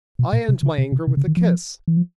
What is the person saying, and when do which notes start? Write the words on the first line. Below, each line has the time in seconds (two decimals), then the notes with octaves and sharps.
I end my anger with a kiss.
0.19 B2
0.33 A#2
0.49 C3
0.63 C#3
0.78 C3
0.92 C3
1.07 C3
1.17 C#3
1.27 D#3
1.37 F3
1.88 E3
1.97 F3